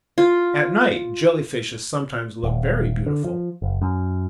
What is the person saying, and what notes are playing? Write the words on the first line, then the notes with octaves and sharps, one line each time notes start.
At night Jelly-fishes sometimes look very beautiful.
F4
D#1
D3
F3
F#1
F#2